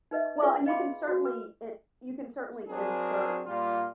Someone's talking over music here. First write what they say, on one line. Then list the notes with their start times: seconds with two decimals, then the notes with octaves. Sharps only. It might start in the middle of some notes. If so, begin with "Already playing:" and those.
Well, and you can certainly i you can certainly insert
0.11 D#4 B4 D#5 E5
0.42 F4 G#4 B4
0.66 D#5 F5 G5 B5 C6 D6
1.08 F#4
1.25 B4
2.69 F#3 C4 D4 G#4 A#4
3.46 A#2 G3 F4